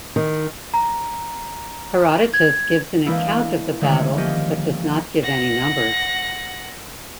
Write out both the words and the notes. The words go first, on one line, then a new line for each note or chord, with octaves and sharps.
Herodotus gives an account of the battle but does not give any numbers.
D#3
A#5
G#6
E3 G#3 A#3 C4 D4 E4
D3 D#3 G#3 A3 C#4 C#5
F3 A#3 C#4 G4 D#5
F#5 A#6